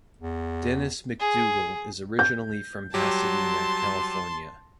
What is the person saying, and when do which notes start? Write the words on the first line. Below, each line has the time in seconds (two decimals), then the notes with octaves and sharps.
Dennis McDougal is originally from Pasadena, California.
0.21 E2
1.20 G#4
2.19 G6
2.94 F#3 G3 G4 A5 C6